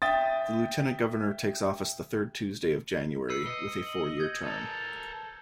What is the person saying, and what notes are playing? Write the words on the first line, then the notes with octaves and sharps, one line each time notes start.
The Lieutenant Governor takes office the third Tuesday of January with a four-year term.
E5 G5 D#6 A6
B4 E6 C7 C#7
D#5
F#7
G6 G#6
A4 A#4